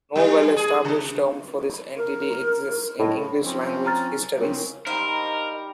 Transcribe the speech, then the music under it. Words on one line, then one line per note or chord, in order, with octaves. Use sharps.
No well-established term for this entity exists in English-language histories.
G3
G#4
C#3
A#4
A2 D#5
F3 C4 C#4
A#5 F6 A6
C#3 C4 C#4 A#4 C#5
G3 D#4 A#4 C5 D#5 F5